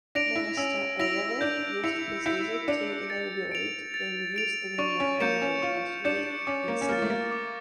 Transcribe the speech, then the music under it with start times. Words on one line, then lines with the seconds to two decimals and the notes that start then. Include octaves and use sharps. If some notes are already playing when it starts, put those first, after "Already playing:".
Minister Erjavec used his visit to inaugurate the new Slovenian honorary consulate in Seville.
0.15 D4 A#6 D7 F7
0.36 E4
0.57 C#4 E6
0.99 E4 A#6 D7 F7
1.41 D4 G6
1.83 E4 C#7 F7
2.26 E4 G6
2.68 D4 C#7 F7
3.10 A6
3.51 D7 F7
3.94 A6
4.36 D7 F7
4.78 D4 C#6
5.00 C#4
5.20 A#3 G6 C#7 E7
5.42 C#4
5.62 F4 C#6
6.05 D4 G6 C#7 E7
6.47 C#4 D6
6.68 A#3
6.81 C#4
6.89 A#3 F6 A6
7.02 A3
7.10 A#3
7.32 D6